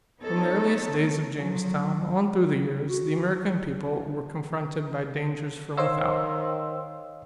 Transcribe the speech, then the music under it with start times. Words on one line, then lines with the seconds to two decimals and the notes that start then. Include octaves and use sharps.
From the earliest days of Jamestown on through the years, the American people were confronted by dangers from without.
0.20 B3 D#4 A4 C#5
1.37 F3 F#3
2.89 F#4
5.77 D#3 C5 C#5 D#5 F5 C6 E6